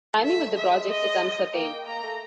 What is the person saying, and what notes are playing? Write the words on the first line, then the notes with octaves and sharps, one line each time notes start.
Timing of the project is uncertain.
A3 E5
G#3 E5
D#5
A#3 G5
A#3 A#5
A3